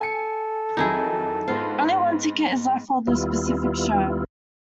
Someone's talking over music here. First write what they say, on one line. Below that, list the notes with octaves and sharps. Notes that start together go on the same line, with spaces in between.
Only one ticket is left for the specific show.
A4 G#5 C#7
F2 D#3 F#3 D#4 E4 G#4
G#2 B3 F4 C5
D#2 G3 B3 E4 F4